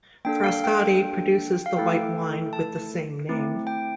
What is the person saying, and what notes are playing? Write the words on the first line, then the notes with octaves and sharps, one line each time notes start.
Frascati produces the white wine with the same name.
A#3 D4 A4 G5
F5
G5
F5
A3 E4 A4 G5
A5
A3 C4 E4
G5